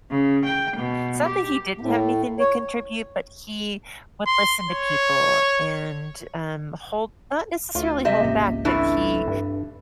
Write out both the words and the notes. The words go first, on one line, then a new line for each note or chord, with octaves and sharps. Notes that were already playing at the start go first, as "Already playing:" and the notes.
It's not that he didn't have anything to contribute, but he would listen to people, and, um, hold not necessarily hold back, but he
C#3
G5
B2
G4
A2
C#5
C6
C#5
D2 F4
C3 D#5 E5
G#1 C#2 A#3
F2 A2 E3 D4
G2